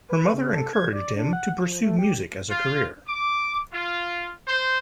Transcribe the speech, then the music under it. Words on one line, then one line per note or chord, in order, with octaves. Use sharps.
Her mother encouraged him to pursue music as a career.
B4
C#3
A4
G#6
D5
D4
F#5
F3
A3
G4
F4
D6
F4
C5